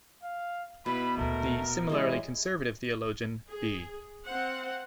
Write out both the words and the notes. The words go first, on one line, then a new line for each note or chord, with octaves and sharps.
The similarly conservative theologian B.
F5
B2 E4 B4 B5
D2 A#2 A3 A#4
E3 G3 G#3 C#4 D#5
G#4
C4 C5 F5 F#5